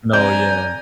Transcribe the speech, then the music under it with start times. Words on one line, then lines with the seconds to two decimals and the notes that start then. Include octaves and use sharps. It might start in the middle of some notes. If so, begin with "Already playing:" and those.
No. Yeah.
0.13 F2 D5 G#5 A#5 G6